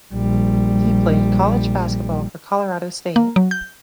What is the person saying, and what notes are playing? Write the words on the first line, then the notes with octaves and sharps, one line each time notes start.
He played college basketball for Colorado State.
A#1 G3
A#3
F#3
G6